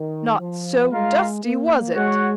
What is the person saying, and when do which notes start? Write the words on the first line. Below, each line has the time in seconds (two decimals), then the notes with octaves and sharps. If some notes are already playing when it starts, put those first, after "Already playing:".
Not so dusty, was it?
Already playing: D#3
0.39 F3
0.91 G#3 F4 A#4 F5
1.43 A#3
1.94 G#3 F#4 C#5 F#5